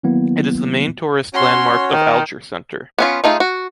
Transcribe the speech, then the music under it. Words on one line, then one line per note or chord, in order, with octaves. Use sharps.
It is the main tourist landmark of Alger Center.
D#3 F#3 A#3 B3 E4
C#4 F#4 C#5 C6
D#3
B3 C#4 F4
A3 D#4 F4 G#4
F#4